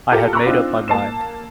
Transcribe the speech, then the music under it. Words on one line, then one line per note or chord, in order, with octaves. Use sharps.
I had made up my mind.
F4 G4 A4 A#4
A#5 B5 C#6 D6 E6 F#6
C4 D4 D#4 F4
A#3 A5 C7 E7